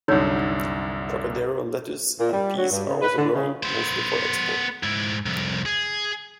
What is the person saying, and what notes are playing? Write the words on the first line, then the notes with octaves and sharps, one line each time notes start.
"Trocadero" lettuce and peas are also grown, mostly for export.
C2 F#2 D3 D#4 C#5 E6
A#2
G3
F#3
G2
C#3
B4
D3
C#3
B3 C5
G#2 E4
C2 F2
G#4